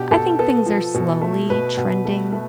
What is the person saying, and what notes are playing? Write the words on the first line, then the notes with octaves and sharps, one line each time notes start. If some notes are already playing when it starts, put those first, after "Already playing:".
I think things are slowly trending
Already playing: B2 D4 G4
B2 A4
B3 A4
F3
B2
A3
B2 B4
B2
A3
A3